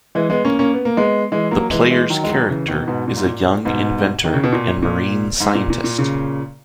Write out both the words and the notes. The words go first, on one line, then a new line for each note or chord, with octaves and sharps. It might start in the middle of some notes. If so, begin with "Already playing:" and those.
The player's character is a young inventor and marine scientist.
E3 G#3
G#3 B3
A#3 C#4
A#3 C#4
B3
A#3
G#3 B3
E3 G#3
F#3 A#3
E3 G#3
E3 G#3
D#3 F#3
G#3
D#3 F#3
C#3 E3
B2 D#3
G#2 B2
A#2
G#2
A#2
G#2 B2
D#3
C#3
B2
A#2
A#2
G#2
A#2
A#2
A#2
A#2 C#3